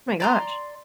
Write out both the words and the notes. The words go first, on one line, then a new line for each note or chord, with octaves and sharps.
My gosh.
D5 A#5 C6